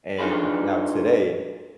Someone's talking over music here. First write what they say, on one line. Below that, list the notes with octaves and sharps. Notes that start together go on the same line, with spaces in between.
And now today,
D4 D#4 F4 G#4 B4